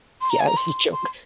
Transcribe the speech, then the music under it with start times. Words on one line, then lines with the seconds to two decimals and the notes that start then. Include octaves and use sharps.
Yeah, it was a joke.
0.21 C6
0.30 A#5
0.40 G#5
0.47 A#5
0.57 C6
0.93 C6